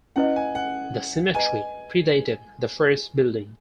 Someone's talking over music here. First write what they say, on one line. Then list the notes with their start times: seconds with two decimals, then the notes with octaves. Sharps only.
The cemetery predated the first building.
0.16 C#4 E4 B4 D#5 F#5
0.36 G#5
0.55 F#5
1.35 G#4 B4 D#5 G#5 A#5